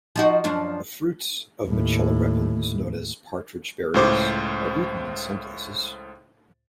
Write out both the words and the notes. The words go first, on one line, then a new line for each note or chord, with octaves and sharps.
The fruits of "Mitchella repens", known as partridge berries, are eaten in some places.
F3 D#4 F#4
F#2 F3 D4
D#2 A2
C#2 A2 C5 D6